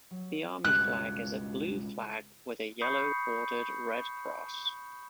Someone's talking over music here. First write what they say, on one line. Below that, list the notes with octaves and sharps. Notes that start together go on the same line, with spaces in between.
The army flag is a blue flag with a yellow bordered red cross.
F#3
C#2 G2 B2 F#6
B5 C#6 D#6 G6 C7 C#7